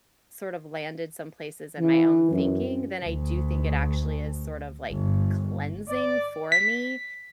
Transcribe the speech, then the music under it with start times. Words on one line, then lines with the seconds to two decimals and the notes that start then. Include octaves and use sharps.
sort of landed some places in my own thinking, then I do think it actually is sort of, like, cleansing for me
1.80 E3
2.31 F#2
3.05 D2
4.90 G1
5.89 D5
6.52 B6